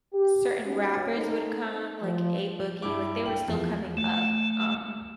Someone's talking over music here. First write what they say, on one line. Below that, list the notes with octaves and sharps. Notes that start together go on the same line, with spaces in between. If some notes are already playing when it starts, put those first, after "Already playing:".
certain rappers would come, like A-Boogie, like, they were still coming up, um,
G4
B3 C#4 D#4 F#4 G4
A3 C4 D#4 A4
F3
G2 E4 D6
G5 F#7
E2 F3
A3